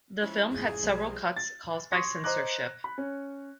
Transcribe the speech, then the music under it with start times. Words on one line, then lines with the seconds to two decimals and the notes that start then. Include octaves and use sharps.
The film had several cuts caused by censorship.
0.22 F3 C#4 E4 B5
0.51 F1 G#2 G#4
0.83 B1 F3 G3 G#3
1.36 A6
1.92 C6 C#6 D#6 G#6 A#6 C#7
2.24 C5 D#5 A#5 D6 F#6
2.84 B5
2.98 C#4